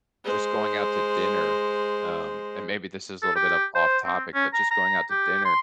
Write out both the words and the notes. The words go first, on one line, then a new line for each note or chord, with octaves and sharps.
just going out to dinner, um, and maybe this is a little bit of off topic, but just going out to dinner,
G#3 C5
A4
G4
C5
C4
C#4
A#5
A#5
G4
C6